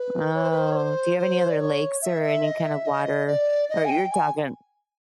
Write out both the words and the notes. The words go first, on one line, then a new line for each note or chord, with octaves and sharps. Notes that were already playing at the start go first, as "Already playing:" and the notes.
Oh, do you have any other lakes or any kind of water? Or you're talking
Already playing: B4
C#5
C5
B4
C5
C#5
C5
C5
D5
C#5
E5
E5
D#5
E5
D#5
D5
D#5
G#5
G5
G#5